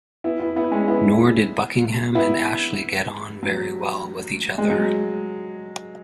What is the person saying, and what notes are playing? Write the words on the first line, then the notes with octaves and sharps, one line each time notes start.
Nor did Buckingham and Ashley get on very well with each other.
B3 E4
B3 E4
B3 E4
G#3 C#4
B3 E4
B3 E4
F#3
G#3
F#3